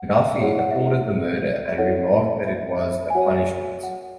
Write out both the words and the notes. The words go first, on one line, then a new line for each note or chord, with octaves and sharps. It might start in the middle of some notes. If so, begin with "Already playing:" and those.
Gaddafi applauded the murder and remarked that it was a punishment.
Already playing: F#5
E4 G#4 C#5 F#5
F#5
E5
F#5
E5
E4 A4 C#5 F#5
E5
E5
G#5
F#4 C#5 F#5
F#5